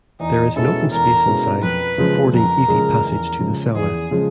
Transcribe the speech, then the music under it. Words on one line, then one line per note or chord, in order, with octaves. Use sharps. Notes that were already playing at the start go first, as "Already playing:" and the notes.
There is an open space inside affording easy passage to the cellar.
E2 D#4
B2 G#3 C#4 E4 A4
E2 A#4
B2 G#3 C#4 E4
F2 B4
C#3 F3 G#3
F2 A#4
C#3 F3 G#3
E2
C#3 F3 G#3
E2 G#4
C#3 F3 G#3